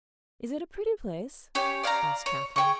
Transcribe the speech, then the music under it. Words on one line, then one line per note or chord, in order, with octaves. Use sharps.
"Is it a pretty place?" asked Catherine.
C#4 G4 C#5
D5 F5 G#5 A#5
C#5
G#4 G5 C#6